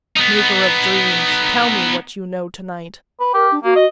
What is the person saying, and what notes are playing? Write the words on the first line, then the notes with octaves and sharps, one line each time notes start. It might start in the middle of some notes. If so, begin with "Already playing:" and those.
"Maker of dreams, tell me what you know to-night."
B3 D#4
B4
G4 A#4
D4
A#3 F#4
D#5